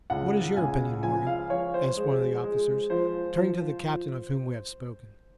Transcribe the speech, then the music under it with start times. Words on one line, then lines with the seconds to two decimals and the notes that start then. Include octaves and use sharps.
"What is your opinion, Morgan?" asked one of the officers, turning to the captain of whom we have spoken.
0.10 C#2 F#5
0.56 C#2 G#5
1.03 F3 G#5
1.27 F5
1.50 F3 C#5
1.74 C5
1.97 G#3
2.44 G#3
2.90 F3 C5
3.37 F3